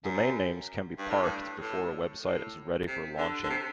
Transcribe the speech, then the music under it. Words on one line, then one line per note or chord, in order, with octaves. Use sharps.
Domain names can be parked before a web site is ready for launching.
F#2
G2
A2
G2
A2
A2
C3
D3
D3
C3